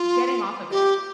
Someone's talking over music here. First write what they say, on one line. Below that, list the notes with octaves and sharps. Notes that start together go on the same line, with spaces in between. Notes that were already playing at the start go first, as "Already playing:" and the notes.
Getting off of it.
Already playing: F4
G4